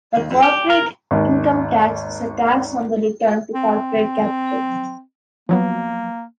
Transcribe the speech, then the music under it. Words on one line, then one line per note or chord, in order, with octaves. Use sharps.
The corporate income tax is a tax on the return to corporate capital.
D#2
F2
G4
A#4
G#1 D#2
C4
F3 F#3 A#3 B3